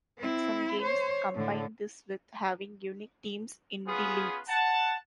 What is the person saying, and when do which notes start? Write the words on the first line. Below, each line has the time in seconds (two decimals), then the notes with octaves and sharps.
Some games combine this with having unique teams in the leagues.
0.18 C4 E4
0.82 C5 C#5
1.34 A2 D3
3.87 B3 C#4 F4 G#4 B4
4.49 F#5 A5